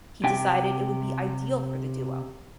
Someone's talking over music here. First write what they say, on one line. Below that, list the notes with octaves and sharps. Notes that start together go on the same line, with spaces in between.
He decided it would be ideal for the duo.
C3 G5